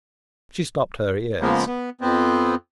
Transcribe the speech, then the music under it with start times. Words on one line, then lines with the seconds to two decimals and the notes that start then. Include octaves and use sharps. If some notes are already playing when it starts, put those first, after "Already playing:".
She stopped her ears.
1.41 C#3 F3 G#3 A#3 B3
1.67 B3
2.01 F2 B3 C4